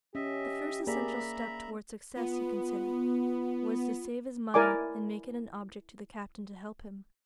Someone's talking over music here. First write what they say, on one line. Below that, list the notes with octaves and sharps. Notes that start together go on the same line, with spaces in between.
The first essential step towards success, he considered, was to save his money and make it an object to the captain to help him.
C#4 G4 D#5 E5
A#3 G#4 D5 E5 A#5 B5
B3 F4
E4 A#4 D5 G#5 D6